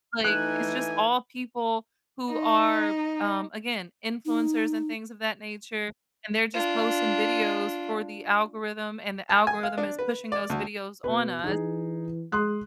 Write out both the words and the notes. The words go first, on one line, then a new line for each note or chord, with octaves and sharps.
Like, it's just all people who are, um, again, influencers and things of that nature, and they're just posting videos for the algorithm, and the algorithm is pushing those videos on us,
E3 A3 D#4 G#5 F#6
D#4
D#4
D4 F4
A5
G#5
F5
D4
B4
D5
D2
B2 B4
E3 D#4 G#4
G#3 C6 D#6 F#6